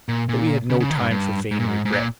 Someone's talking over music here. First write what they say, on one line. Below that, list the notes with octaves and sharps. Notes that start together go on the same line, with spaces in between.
But we had no time for vain regrets.
A#2
A#2
C#3
C#3
D#3
G2
G2
G#2
A#2
G#2
G#2
A#2